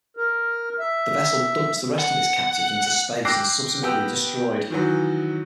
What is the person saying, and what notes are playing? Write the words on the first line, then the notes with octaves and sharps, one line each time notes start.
The vessel dumps the rest of its captives into space and is subsequently destroyed.
A#4
E5
F#5
G5 D6 E6 F#6 A#6 C7
B3 G4 G5 E6
D#3 E3 F#3